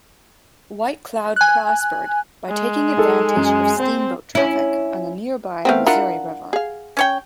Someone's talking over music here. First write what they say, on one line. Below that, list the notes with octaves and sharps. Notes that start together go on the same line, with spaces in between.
White Cloud prospered by taking advantage of steamboat traffic on the nearby Missouri River.
G#5 F#6
G#3
D#4 G#4 A4
F#2
C4 C5
C#4 E4
A3 B3 C4 A#4 F5
D4 E4 F4 A#4 F#5
G#4 F5
C#4 C#5 G5